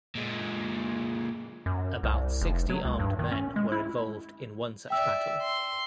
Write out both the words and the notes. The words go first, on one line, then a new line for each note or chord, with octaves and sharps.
About sixty armed men were involved in one such battle.
A#2 G#3
F#2
C2
F1
F#3
C#2
G2
D#3
C#4
G#3
E4
D5 E5 G5 E6
C6